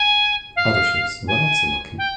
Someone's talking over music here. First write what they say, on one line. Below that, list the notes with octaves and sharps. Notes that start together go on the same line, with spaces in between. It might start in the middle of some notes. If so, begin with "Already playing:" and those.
Other ships were not so lucky.
Already playing: G#5
F5
G#5
G5